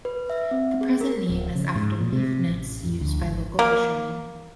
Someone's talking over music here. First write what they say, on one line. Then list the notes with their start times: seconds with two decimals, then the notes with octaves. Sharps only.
The present name is after reef nets used by local fishermen.
0.05 B4
0.30 E5
0.51 C4
0.81 G#4
1.01 A#4
1.30 D1
1.55 C#3
1.75 G#2
2.01 A#2
2.12 C3
2.47 A1
2.84 F2
3.01 D2
3.21 G#1
3.59 A#3